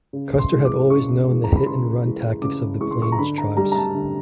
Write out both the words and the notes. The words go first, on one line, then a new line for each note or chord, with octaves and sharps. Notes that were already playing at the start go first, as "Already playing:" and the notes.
Custer had always known the hit and run tactics of the plains tribes.
C#3
C6
E3 G#3
D6
C#3 C#6
E3 G#3
A#5
B5
C#3 C6
E3 G#3
C#3 D6
E3 G#3 C#6
C6
C#6
A#5
D3 B5
A#5
G3 A#5
A#5
A5
D3